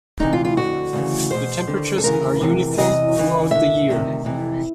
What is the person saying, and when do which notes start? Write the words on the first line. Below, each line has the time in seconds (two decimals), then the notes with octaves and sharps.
The temperatures are uniform throughout the year.
0.19 D2 C3 E3 D#4
0.33 F4
0.45 F4
0.57 F2 D3 F#4
0.93 D2 C#3 E3
1.30 E2 B2 C5
1.67 D#2 D3
1.98 A4
2.04 D2 C#3 E3 A#4
2.41 E2 C3 E3
2.78 E2 C3 E3 D#5
3.15 D#2 C#3 E3
3.51 D#2 D3 E5
3.88 D2 C3 D#3
4.25 F2 C3 E3